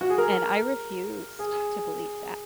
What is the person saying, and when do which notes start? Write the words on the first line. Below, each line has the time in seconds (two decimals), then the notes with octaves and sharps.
and I refused to believe that.
0.01 F#4
0.10 G#4
0.18 A#4
1.39 G#4